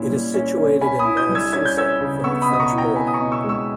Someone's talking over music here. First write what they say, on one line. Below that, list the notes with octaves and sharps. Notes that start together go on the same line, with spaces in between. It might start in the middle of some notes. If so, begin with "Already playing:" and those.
It is situated in Val Susa, from the French border.
Already playing: A#2 C#4 E4
G3
C#4
C#4
C#4 G#5 B5
B5 D#6
E4
D#6 G6
G3
E6 G#6
C#4 G#6
G6
C#4 E6 G#6
C#3
B3 C#6 E6
B5 D#6
B2
D#6
A#5 C#6
E4
G5 A#5
B3 G#5 B5
D#6
A#5 C#6
B2
C#6 E6
G#3
C#6 E6